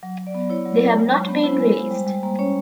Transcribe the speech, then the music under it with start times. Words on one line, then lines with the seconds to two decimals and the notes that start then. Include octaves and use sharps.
They have not been released.
0.03 F#3
0.18 F#3
0.27 D5
0.35 B3
0.50 E4 C#5
0.65 F#3
0.82 F#3
0.97 G#3
1.12 G#3
1.29 B3
1.44 E4 C5
1.59 G#3
1.76 G#3
1.91 G3
2.07 G3
2.23 A#3
2.39 C#4 C#5